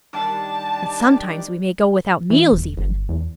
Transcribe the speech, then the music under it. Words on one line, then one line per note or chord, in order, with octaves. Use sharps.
And sometimes we may go without meals, even.
D#3 G3 D4 A5
E3
E1
G1
E2